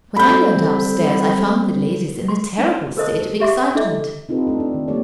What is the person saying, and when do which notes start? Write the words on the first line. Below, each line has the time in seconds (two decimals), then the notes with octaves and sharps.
When I went up-stairs, I found the ladies in a terrible state of excitement.
0.16 G3 G#3 C4 A4 B5 G6
2.28 C6
2.58 D4
2.97 A4 A#4 C5 D#5 A5 D#6
3.40 G4 E5 C6 D6
3.75 D4 E4 A4 D#5 E5 D6
4.29 C4 D#4 F4 G4 A4 B4
4.47 A3 D4 A4
4.60 D4
4.74 D#3
4.88 G3 A3 A#3 G4 C#5 D5